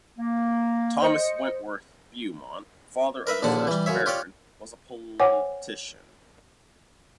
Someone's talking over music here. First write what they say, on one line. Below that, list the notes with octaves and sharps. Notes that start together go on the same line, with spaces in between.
Thomas Wentworth Beaumont, father of the first Baron, was a politician.
A#3
C5 D#5 C#7
A#4 B4 E5
A#1 D#2 A#2 D3 F#5 A5
E3 G3
F#2 C#3 C#5 E5
F4 G4 C#5 D5
C5 C#5 F#5 G#5 D6